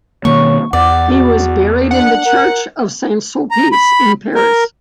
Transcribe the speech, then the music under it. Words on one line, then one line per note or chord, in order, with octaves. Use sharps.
He was buried in the Church of S. Sulpice in Paris.
B2 D#3 A#3 C#5 C#6
E2 D5 F#5
F#4
D4 F#5
A#4
A#5
B5
A#4